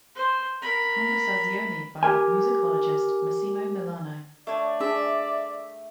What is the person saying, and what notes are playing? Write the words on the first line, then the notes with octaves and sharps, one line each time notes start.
Conversazioni by musicologist Massimo Milano.
C5
A#4 B5
G4 A#4 G#5
A3 D4 C#5 D5
D4 G#4 E5